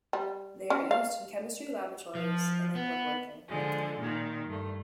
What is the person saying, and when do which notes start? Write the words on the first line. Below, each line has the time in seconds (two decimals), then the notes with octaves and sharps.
They are used in chemistry laboratories and in woodworking.
0.13 G3
0.70 C#4
0.91 F5
2.15 F3
2.75 B3
3.49 D3 F3 G#3
3.98 A#2 D#3
4.46 G2 A3